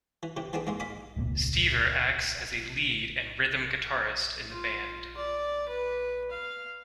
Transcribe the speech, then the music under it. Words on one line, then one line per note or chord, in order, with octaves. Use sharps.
Stever acts as a lead and rhythm guitarist in the band.
E3
C3 E3 G4
E3 B3 C4 D4 G#4
G#2 A#3 G#4 C6
D#5 F5 G#5 B5 D6 D#6
E1 C#2 A#2 B3
F4
D5
B4
F5